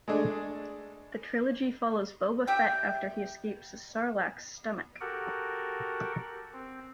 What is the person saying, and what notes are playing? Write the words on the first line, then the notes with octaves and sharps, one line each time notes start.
The trilogy follows Boba Fett after he escapes the sarlacc's stomach.
G#3 A3 D4
G4 E5 G5
F#4 G4 A4 A#4 F#5
C4